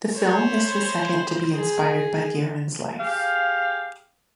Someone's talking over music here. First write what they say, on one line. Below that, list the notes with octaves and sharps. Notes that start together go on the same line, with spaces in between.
The film is the second to be inspired by Guerin's life.
C5 C#5 B5
G#4
G4 G#4 F5